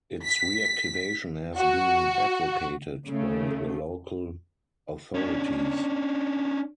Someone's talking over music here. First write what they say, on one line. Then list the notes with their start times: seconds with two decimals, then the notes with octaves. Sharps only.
Its reactivation has been advocated by the local authorities.
0.24 B6
1.57 F#4
3.06 C#3 A3
5.14 C#4 D4